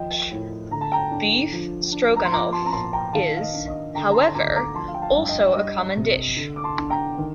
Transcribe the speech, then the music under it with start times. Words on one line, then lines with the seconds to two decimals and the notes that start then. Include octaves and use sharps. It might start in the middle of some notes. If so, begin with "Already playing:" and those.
Beef Stroganoff is, however, also a common dish.
Already playing: D#2 F3 D#5 G5
0.31 A2
0.71 D3 A#5
0.81 A5
0.92 G5 A#5
1.11 D4
1.53 F3
1.92 D4
2.16 A#5
2.25 C6
2.32 F3 A#5 D6
2.52 A5 C6
2.66 A#5
2.73 A#2 A5 C6
2.93 G5 A#5
3.13 D#3 F5 A5
3.36 F5
3.41 D#5
3.54 D4
3.68 D#5
3.95 D3 G5 A#5
4.11 A#5
4.14 A5 C6
4.34 D2 A#5 D6
4.55 A#5 D6
4.75 F3 A5 C6
4.88 F5
4.94 G5
5.02 F5 A5
5.16 G2
5.29 D#5 G5
5.56 G3 D#5
5.97 C3
6.37 D3
6.56 D6
6.64 A5 C6
6.78 D4
6.90 G5 A#5
7.18 D#3